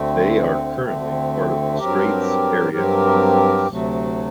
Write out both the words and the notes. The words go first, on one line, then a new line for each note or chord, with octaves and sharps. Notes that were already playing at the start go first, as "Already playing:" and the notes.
They are currently part of the Straits Area Conference.
Already playing: D2 D3 A3 C4
D2 D3 A3 C4
G2 F#3 C4 G4 A#4
G2 F#3 C4 G4 A#4
D2 C3 F#3 A3